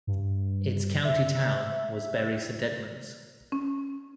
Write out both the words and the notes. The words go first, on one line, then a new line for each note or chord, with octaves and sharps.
Its county town was Bury Saint Edmunds.
G2
E5
C#4